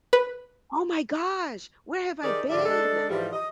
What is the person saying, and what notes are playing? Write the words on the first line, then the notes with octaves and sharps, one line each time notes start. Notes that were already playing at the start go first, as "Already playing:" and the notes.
Oh my gosh, where have I been?!
B4
D#3 D#4 G4 G#4 A#4 D5
G#2 D3 F3 G4 D5 E5
G#3 D4 A4
G#2 E3 F3 G3
D#5